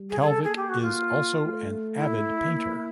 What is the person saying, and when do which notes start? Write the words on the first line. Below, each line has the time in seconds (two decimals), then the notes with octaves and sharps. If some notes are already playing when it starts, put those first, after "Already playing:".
Kalvik is also an avid painter.
Already playing: G3
0.10 G#4
0.21 G#4
0.27 A4
0.44 A#3 G#4
0.57 G4
0.69 F#4
0.82 F4
1.46 A3
1.96 E4
2.47 A#3